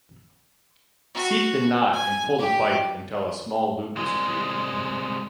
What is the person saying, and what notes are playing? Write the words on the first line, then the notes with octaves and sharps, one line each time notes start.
Seat the knot and pull the bight until a small loop is created.
F#4
G#5
G4
C2 G#3